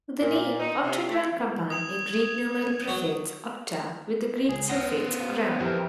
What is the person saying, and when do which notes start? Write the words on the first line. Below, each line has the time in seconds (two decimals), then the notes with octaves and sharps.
The name "octagram" combine a Greek numeral prefix, "octa-", with the Greek suffix "-gram".
0.21 A#2
0.59 D#4
0.83 C3
1.08 A3
1.70 D#6 G#6 F7
2.88 F#3 F#4 C#6
4.49 C#2 G#4
4.69 B3 C5 F#5 F6 A#6
5.20 F#4 F5
5.60 F2 E3 C4 G4 A#4 E5